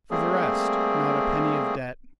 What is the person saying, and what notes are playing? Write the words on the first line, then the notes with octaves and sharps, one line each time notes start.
For the rest, not a penny of debt.
G3 A3 A#3 C4 G#4